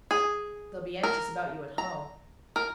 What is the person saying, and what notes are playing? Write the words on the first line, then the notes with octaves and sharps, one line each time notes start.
They'll be anxious about you at home.
G#4
A#4
A#5
A#4